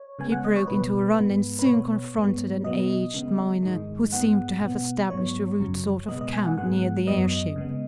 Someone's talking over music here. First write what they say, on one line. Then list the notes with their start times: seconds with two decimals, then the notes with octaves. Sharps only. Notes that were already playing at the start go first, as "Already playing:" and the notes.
He broke into a run, and soon confronted an aged miner, who seemed to have established a rude sort of camp near the airship.
Already playing: C#5
0.19 C#3 G#3 B3 G#5
0.32 F#5
0.45 D#5
0.56 C#5
0.68 B2 B3 B4
1.16 G#2 G#3 B3
1.59 B4
1.65 B2 B3 C#5
2.14 G#2 G#3 B3
2.64 B2 F#3 B3 D#5
3.14 C#3 G#3 B3
3.63 G#2 D#3 G#3
4.12 G#2 G#3 B3 F#5
4.61 B2 B3
5.10 G#2 F#3 B3 C#5
5.60 F#2 C#3 F#3
6.08 B2 G#3 B3 D#5
6.21 D#5
6.33 G#5
6.46 F#5
6.58 G#2 G#3 B3 F#5
7.07 F#2 F#3 B3 D#5
7.56 C#3 G#3 B3